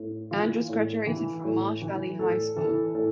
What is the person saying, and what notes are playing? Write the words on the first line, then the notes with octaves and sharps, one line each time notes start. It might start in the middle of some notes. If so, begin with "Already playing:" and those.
Andrus graduated from Marsh Valley High School.
Already playing: A2
E3 F4
A2
E3
A2
E3
A2 A4
E3 A4
A2 A4